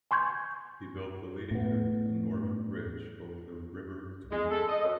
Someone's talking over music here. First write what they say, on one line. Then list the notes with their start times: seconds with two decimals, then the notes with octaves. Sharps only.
He built the Ladykirk and Norham Bridge over the River Tweed.
0.11 G#5 C6 C#6 G6 G#6
1.51 A2 B3
4.32 G#3
4.51 A4
4.69 D#5
4.84 F#2